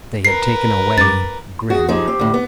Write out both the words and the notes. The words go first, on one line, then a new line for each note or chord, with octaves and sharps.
They had taken away Grimm.
A#4 B4 C7
F#2 D6 A6
F#4 G#4
F3 D#4 G4 G#4
C4
D2 A2
B3